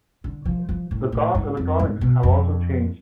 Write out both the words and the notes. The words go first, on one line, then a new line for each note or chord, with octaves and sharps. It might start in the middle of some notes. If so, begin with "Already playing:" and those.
The car's electronics have also changed.
D3
F3
F3
A2
A2
G#2
F2
G#2
B2
F2